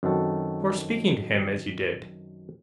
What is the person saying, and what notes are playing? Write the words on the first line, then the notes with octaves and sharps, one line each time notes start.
"For speaking to him as you did."
F#2 D#3 C4 F#4 A4